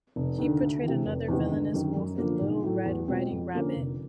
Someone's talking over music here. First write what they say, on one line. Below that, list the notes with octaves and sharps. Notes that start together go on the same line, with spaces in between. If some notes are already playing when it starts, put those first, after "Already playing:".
He portrayed another villainous wolf in "Little Red Riding Rabbit".
F1
D#2 D3
D2
C3 E3
F1
E2 C3 D#3
G1
F#2 D#3
F#2
D3 F3 A#3
B1
A2 F#3 A3
E2
B2 G#3 C4 F4
F2
D3 F3 A#3 C#4
F1